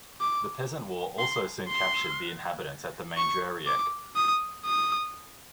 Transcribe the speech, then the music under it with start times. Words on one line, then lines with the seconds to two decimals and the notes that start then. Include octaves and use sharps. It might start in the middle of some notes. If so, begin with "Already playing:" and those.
The peasant war also soon captured the inhabitants at the Maindreieck.
0.20 D6
1.19 C6
1.68 C6
3.17 C#6
3.66 D6
4.16 D#6
4.65 D#6